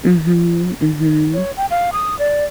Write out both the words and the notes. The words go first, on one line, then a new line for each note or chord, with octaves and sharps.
Mhm. Mhm.
C#5
G5
F5
D#6
D5